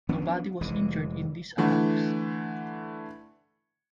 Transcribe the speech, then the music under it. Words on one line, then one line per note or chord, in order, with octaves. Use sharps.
Nobody was injured in these attacks.
F3 B3 C#4 D4
F1 E3 G#3
D3 E3 A3